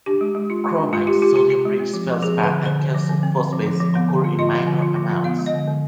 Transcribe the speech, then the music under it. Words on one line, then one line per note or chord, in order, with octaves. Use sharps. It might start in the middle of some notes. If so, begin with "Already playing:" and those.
Chromite, sodium-rich feldspar and calcium phosphates occur in minor amounts.
D4 G4
G#3
G#3
F4
G#3
D4
G#3 F4
F4 G4
F4 G4
F4 G4
F4
G#3
C4
F3
C4
F3 G#4
D3
B4
D3
D3 C5
D3
F3
D3
C4
C4
F3
F3
F3
B3
D3
F4
F4 D#5
F3
D3
F4
F3
F4
B3 F5
G#3
D#5
D3
D3